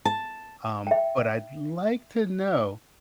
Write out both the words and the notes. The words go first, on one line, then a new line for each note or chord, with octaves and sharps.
um, but I'd like to know
A5
E5 G5